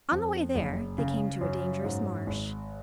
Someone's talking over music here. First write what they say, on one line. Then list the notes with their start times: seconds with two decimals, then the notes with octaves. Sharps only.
On the way there they came to a dangerous marsh.
0.12 F2
0.55 F#1
0.98 C#3
1.41 F#2
1.84 G#2
2.27 G#1